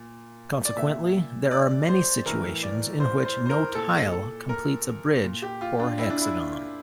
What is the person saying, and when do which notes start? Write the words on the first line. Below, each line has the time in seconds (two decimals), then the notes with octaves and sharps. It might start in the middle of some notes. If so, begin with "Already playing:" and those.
Consequently, there are many situations in which no tile completes a bridge or hexagon.
Already playing: A#2
0.65 D5
0.76 A#2 E5
1.51 D5
1.89 C5
2.26 A2 E3 A#4
2.63 D5
3.00 C5
3.25 C5
3.46 C5
3.50 A#4
3.75 A#2 A4
4.12 A4
4.49 A#4
5.24 A#2
5.42 G4
5.61 F4
5.79 D4
5.98 E4
6.10 D4
6.21 E4